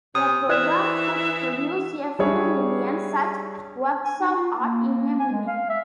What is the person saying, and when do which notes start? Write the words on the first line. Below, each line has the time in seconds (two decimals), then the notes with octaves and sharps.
A program could produce a few million such 'works of art' in a minute.
0.15 C3 D#6
0.49 E3 B4 C5 D5 E5
2.19 G3 D4 G#4 C#5 E5
4.04 G#5
4.20 D#4
4.35 F4
4.59 A#3
5.19 G#5
5.31 G#3
5.47 F5
5.69 E5